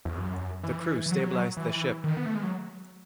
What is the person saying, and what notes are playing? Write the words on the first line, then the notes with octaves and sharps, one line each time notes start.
The crew stabilized the ship.
E2
F#2
E3
E3
F#3
E3
D#3
B3
A3
G#3
F#3